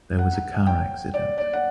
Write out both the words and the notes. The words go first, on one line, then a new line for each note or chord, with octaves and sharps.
There was a car accident.
F#5
G5
D5
D5
F#5